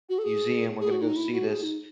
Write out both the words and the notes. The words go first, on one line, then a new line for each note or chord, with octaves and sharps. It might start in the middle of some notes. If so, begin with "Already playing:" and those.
museum, we're gonna go see this,
F#4
A4
G#4
G#4
F#4
D#4
E4
F#4
G#4
D#4